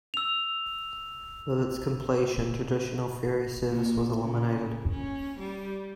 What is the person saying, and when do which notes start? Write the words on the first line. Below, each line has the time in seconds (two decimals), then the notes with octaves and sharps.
With its completion, traditional ferry service was eliminated.
0.14 E6 F7
3.69 A#2
4.20 C#3
4.89 C#4
5.40 G3